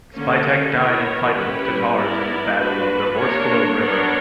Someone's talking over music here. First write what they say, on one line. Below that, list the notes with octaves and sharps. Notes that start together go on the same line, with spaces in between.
Spytek died in fight with Tatars in the Battle of the Vorskla River.
D3 A#3 C#4
B3 E4 A#4 C#5
G3 C#4 E4 G4 B4
B3 E4 A#4 D5
A#3 D4 F#4 B4
A#3 D4 A#4 C#5
B3 D4 A#4 C#5